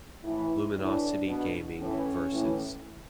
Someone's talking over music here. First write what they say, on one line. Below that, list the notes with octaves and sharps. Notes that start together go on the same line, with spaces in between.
Luminosity Gaming vs.
A2 E3 E4
A2 E3 D4
B2
A2 E3 C#4
A2 E3